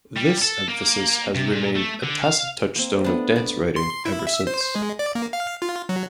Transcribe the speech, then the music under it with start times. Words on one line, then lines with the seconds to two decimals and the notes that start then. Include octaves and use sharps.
This emphasis has remained a tacit touchstone of dance writing ever since.
0.17 G3
0.42 A4
0.68 A#3
1.35 C3
1.52 A#2
1.76 A3
2.04 D3
2.23 F5
2.76 A#3 C4
3.04 A3 B3 D4
3.36 D5
3.76 C6
4.06 E4
4.27 E5
4.47 C5
4.75 G#3
4.99 D5
5.15 A#3
5.33 F5
5.62 F4
5.89 F#3